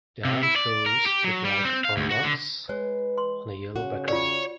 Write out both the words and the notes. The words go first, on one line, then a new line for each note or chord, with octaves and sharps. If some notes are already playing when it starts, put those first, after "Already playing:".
The arms shows two black oarlocks on a yellow background.
C3
E4
D5
A#4
G4
F#3
G3
C4
F5
D2
F#4
D3
G#3 B4 C#5
C6
C#3 F#4
F4 C#5 D5